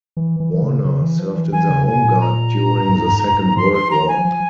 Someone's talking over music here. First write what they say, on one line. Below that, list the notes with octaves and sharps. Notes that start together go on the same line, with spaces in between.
Warner served in the Home Guard during the Second World War.
E3
E3
E3
C#3
C#3
E3
F3
E3
E3 G#5
C#3
C3 G#5
A#2
A#5
G#2
G#2
G#2
F3 C6
C6
A#5
G#5
F3